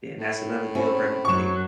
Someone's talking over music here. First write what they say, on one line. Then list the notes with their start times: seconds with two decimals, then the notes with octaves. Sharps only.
then that's another deal breaker for me.
0.16 A2
0.75 C4 C#4 E4
1.25 F#2 F#3 C#6 E7